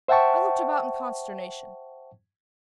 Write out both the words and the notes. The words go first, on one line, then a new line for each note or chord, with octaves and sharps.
I looked about in consternation.
C5 E5 F#5 G5 A5 C#6